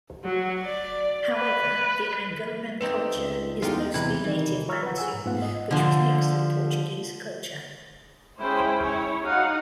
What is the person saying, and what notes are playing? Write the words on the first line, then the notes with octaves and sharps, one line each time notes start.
However, the Angolan culture is mostly native Bantu which was mixed with Portuguese culture.
F#3
D5
B4
A3 C4 D#4 B4
C#2
E2 G#3 D#4 F4 G4
E2 C3 E3 B4 G#6
D#3 E3
F4 C#5 A#5 C#6 E6 F6
B4 F#5
G#4 F#5 G#5 E6
G#2
G#2 A3 B3 F4 B4 F#5
D#5
D3 F3
G#3 C#4 E4 G#4 C5 G5
E4 C#5
D#4 F#4 F5 F#5